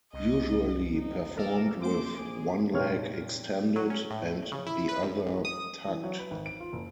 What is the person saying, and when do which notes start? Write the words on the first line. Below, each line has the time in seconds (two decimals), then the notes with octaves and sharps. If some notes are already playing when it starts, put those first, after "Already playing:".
Usually performed with one leg extended and the other tucked.
0.13 C2 D#5
0.96 F1 D#4
1.37 A4 A#4 D5
1.82 A#3 C5 D6
2.19 A#1 G#4
2.73 F1 A#2 D#4 C#5 G5 F6
3.76 F#3
3.90 C#4
4.10 A2
4.52 C#3
4.66 E4
4.89 B4
5.03 F#2
5.27 A1
5.45 D#6
5.85 E3
6.03 F#3
6.19 B4
6.31 G#1
6.46 D7
6.60 F4
6.73 F#1